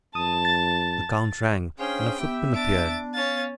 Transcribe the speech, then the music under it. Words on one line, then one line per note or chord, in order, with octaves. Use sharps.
The count rang, and a footman appeared.
F2 A5 D#6
A6
C#4 D4 G#4 C5 F5 G5 C6
B3 G4 E5
D4 A6 D7
C#4 F5 A6